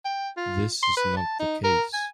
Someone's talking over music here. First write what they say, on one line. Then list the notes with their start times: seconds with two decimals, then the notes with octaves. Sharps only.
This is not the case.
0.05 G5
0.37 F4
0.83 C6
0.97 B4
1.17 A5
1.40 D#4
1.64 A#4
1.94 G#5